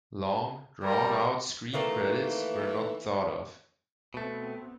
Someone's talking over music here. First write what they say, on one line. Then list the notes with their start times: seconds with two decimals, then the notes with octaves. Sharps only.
Long, drawn out screen credits were not thought of.
0.83 G3 A#4
1.74 D#3 E3 A3 A#3
4.14 B2 A3 B3 C4